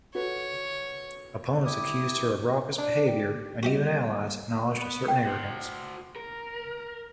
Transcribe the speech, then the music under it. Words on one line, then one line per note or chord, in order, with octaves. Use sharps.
Opponents accused her of raucous behavior, while even allies acknowledged a certain arrogance.
F#4 A4 B4 C#5
E4 G4 D#6
D4
G4
G3 A#3 F#4 G4 D#5
B3
G5
F#4 C5
A#4